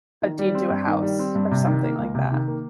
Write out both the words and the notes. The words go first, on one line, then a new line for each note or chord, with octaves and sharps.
a deed to a house, or something like that,
D#3
G3
C4
G2
D#3
G3
C4
G2
C3
D#3
A#3
C#2
C3
D#3
A#3